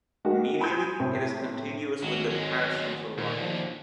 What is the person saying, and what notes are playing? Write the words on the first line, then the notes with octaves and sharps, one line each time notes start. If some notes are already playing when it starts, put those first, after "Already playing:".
Medially, it is contiguous with the paracentral lobule.
G#3 A3 D#4 F#4 G4 A#4
G#5 B5 C6 D#6 G6 G#6
A2 C3 C4
G#1 F#3
F#3 G#3
D#2 A#2 D3
F3